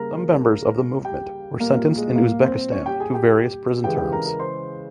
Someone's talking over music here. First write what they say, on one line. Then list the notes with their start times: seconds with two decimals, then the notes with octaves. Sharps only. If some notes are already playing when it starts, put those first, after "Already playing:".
Some members of the movement were sentenced in Uzbekistan to various prison terms.
Already playing: C#3 G3 A#3 A#4 A#5
1.04 G4 G5
1.60 A#2 G3 A#3 A#4
1.79 F4
1.97 G#3 G#4
2.16 A#3 A#4
2.44 C4 C5
2.72 C#4 C#5
2.86 G4 G5
3.00 G#4 G#5
3.14 G4 G5
3.84 C#3 E3 G#3 G4 G5
3.98 G4 G5
4.12 A#4 A#5
4.26 A#4 A#5
4.39 C5 C6